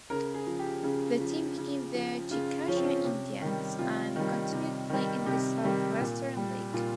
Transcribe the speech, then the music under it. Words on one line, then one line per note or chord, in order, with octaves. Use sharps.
The team became the Chickasha Indians and continued play in the Southwestern League.
C#3 A#4
G#4
F3
G4
C#3
F3
C#3
F3
C#3 F4
F3 C#4
C4
C#4
C3
D#3 G3
C3 F4
D#3 G3
C3
D#3 G3
C3 G4
D#3 G3
A#2
G3
A#2 F4